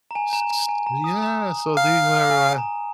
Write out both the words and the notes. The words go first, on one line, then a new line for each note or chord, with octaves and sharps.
s s Yeah, so these are my
A#5
G#5
A#5
A#5
G#5
A#5
D#6
A#5
F5
G#5
A#5